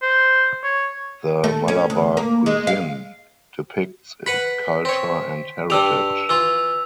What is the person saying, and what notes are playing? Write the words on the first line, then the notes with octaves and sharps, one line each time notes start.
The Malabar cuisine depicts it culture and heritage.
C5
C#5
A3
C#4
D2
A#3
G#3
F5
B4 F#5 B5 B6 F#7
C4 C#5
G2 G3 G4 E6 F7
E3 F4 E6